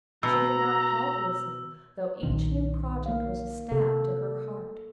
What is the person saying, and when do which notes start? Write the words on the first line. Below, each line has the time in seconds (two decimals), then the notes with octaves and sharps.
She could not help listening, though each new project was a stab to her heart.
0.23 B2 A#5 E6
2.23 B1 A#2 D#3 D#4
3.06 A#3 F5
3.72 C3 A4